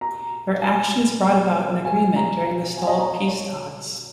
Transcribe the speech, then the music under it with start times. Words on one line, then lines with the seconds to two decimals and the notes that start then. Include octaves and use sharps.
Their actions brought about an agreement during the stalled peace talks.
0.01 A#5
0.62 G#5
1.85 G#5
2.16 A#5
2.77 G#5
2.87 D#5
2.98 A#5
3.28 C#5